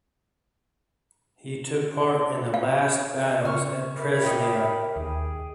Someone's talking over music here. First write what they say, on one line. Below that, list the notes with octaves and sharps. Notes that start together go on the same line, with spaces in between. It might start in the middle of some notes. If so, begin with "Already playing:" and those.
He took part in the last battles at Presnya.
F5
C#3 C#6 F6
A#4 E5 B5
D#4 E4 G4
D#2 G#4 G5